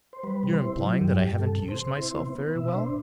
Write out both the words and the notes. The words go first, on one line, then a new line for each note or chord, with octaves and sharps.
"You're implying that I haven't used myself very well?"
C5
G3 B4
C3
C5
E4
F#3
G2 G4
G2 G4
C3 A4
C3
C5
C3
E4
B3
B3
B2 E5
B4
D4 C5